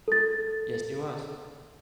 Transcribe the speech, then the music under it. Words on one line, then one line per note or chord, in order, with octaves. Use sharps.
Yes, he was.
A4 A6